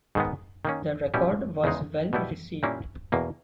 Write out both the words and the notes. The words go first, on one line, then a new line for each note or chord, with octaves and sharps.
The record was well received.
G#2 D#3 G#3 B3
D#3 A#3 C#4
B2 G3 C#4 E4
E2 C#3 G#3 D#4
B2 G3 B3 E4
A#2 G3 A#3 C#4 E4
E2 B2 A#3